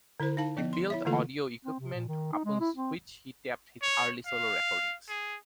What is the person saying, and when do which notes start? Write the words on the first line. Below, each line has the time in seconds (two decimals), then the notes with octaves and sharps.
He built audio equipment upon which he taped his early solo recordings.
0.20 D3 E4 A#4 C5
0.37 D#4 F5 A5
0.57 F3 B3 D#5
0.73 C6
0.90 E4 C#5 E5
1.05 D3 E3 A3 A#3 F4 A4
1.65 C4
1.80 C3
1.94 A#2
2.08 D#3
2.33 D#4
2.45 G#3
2.60 E4
2.76 C4
3.82 C#5
4.26 F5
5.09 G#4